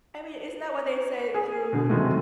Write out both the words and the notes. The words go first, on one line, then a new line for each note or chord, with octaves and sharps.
I mean, isn't that what they say through
G#4
B2 D3
F#2 C3 D#3 G#3 A3